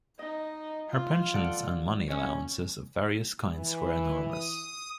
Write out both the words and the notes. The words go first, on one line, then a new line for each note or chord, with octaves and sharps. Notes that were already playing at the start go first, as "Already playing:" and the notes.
Her pensions and money allowances of various kinds were enormous.
D#4 D#5
F4
A4 D5 F#5
C#4 C#5
E3
D#6